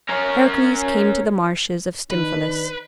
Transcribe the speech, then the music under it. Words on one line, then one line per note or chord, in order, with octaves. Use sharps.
Heracles came to the marshes of Stymphalus.
C#4 A#4
D#3 D4 D#4 B4